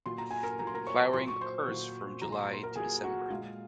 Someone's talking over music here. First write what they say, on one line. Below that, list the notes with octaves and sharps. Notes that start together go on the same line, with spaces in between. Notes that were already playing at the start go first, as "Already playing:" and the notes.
Flowering occurs from July to December.
A#2 F#3 C6
A#5
G#5
A#4 A#5
A#2 F#3 A#5
C6
A#4 A#5
C#5 C#6
A#2 F#3 C6
C#6
C5 C6
A#2 F#3
A#2 F#3 A#5
C6
A#5
C6
A#4 A#5
A#2 F#3 G#4 G#5
F#4 F#5
A#2 G#3 F4 F5